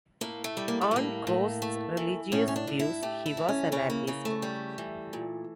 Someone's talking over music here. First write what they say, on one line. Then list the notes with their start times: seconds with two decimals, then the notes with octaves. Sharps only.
On Grosch's religious views, he was an atheist.
0.21 A2 A#3
0.44 A3
0.57 G3
0.68 A#3
0.81 A3
0.91 A2 A#3
1.27 A2
1.62 A3
1.97 E3
2.32 A2 C#4
2.48 C#4
2.56 D4
2.67 A2
2.79 E4
3.03 A3 G4
3.26 E4
3.37 E3
3.49 C#4
3.72 C#3 C#4
3.90 A#3
4.07 C#3 A#3
4.25 A3
4.42 G3
4.78 E3
5.13 A#2